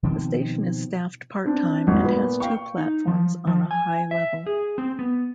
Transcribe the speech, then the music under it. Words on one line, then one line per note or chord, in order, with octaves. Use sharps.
The station is staffed part-time and has two platforms on a high level.
B2 D#3 F3 C4
C4 D4
G#1
A#2 B3
F5 G5 C#6
D#4
F3
F3
G#5
E5
G#4
C4
B3